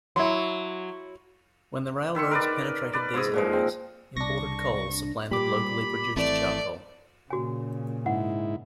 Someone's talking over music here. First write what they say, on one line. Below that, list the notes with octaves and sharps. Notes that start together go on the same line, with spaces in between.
When the railroads penetrated these areas, imported coal supplanted locally produced charcoal.
F#3 E4 C6
D#3 E5 C6 C#6
A#4 B4 D5
B4 D5
G#2 E4 D#5
A#2 F3 G#3
C4
C2 D4 C#6 A#6
A#2 G3 B5 D6
G#1 E3 A3 C4 D5
A#2 C#3 F#4 G#5
G#2 E4 F#5